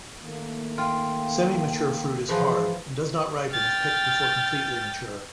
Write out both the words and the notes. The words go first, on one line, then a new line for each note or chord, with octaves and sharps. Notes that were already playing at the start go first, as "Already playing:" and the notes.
Semi-mature fruit is hard and does not ripen if picked before completely mature.
D#3 A3 A#3
F4 G5
E3 F3 G#4
G5 F6 A6